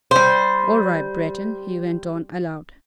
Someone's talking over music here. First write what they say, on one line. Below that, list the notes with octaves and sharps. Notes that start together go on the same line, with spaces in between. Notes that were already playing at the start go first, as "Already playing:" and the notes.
"All right, Breton," he went on aloud.
G3 C5